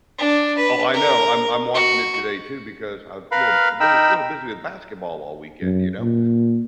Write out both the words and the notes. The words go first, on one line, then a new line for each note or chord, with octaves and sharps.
oh, I know, I'm I'm watching it today too because I was a little b bul little busy with basketball all weekend, you know,
D4
B4
A#4
F#4
A#4 B4 F5 B5
D#4 A#4 G5 B5 E6
F#2
A#2